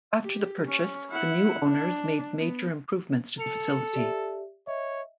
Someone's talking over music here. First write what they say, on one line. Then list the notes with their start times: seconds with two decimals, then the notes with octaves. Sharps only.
After the purchase, the new owners made major improvements to the facility.
0.23 G4
0.66 C#4
1.10 E4 F#5
1.65 D4
2.39 B3
3.39 A4 C#7 F7
3.93 G4 D5 E5
4.67 C#5 D#5 E5